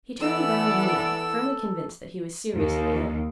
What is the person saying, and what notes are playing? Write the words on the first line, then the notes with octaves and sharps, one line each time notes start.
He turned round anew, firmly convinced that he was seriously ill.
E3 B3 A4 D5 E6
D#2